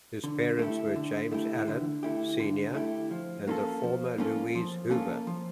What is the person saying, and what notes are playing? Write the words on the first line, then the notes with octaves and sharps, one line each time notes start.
His parents were James Allen, Senior and the former Louise Hoover.
D3
A3 E4 G4
D3
A3 E4 G4
D3
A3 E4 G4
D3
A3 E4 G4
F3
A#3 C#4 F4 A4
F3
A#3 C#4 F4 A4
F3
A#3 C#4 F4 A4
F3